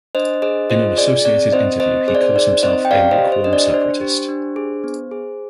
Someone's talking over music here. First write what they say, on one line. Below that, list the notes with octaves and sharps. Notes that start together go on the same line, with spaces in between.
In an associated interview, he calls himself a "lukewarm separatist".
D4 C5 D#5
G#4 C5 D#5
F4 C5 D#5
G#4 D5
C4 D5
C4 C5 D#5
C4 C5 D#5
G#4 C5
D5
C5
D#4 D5
C4 C5 D#5
G5
G4 D5 F5
C5 D#5
G4
C5
D4 D#5
D5
D4 C5
G4
D4
G#4
B3
G#4